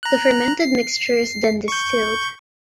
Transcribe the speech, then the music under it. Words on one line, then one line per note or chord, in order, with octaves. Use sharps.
The fermented mixture is then distilled.
A#5 F#6
C7
C#6 G6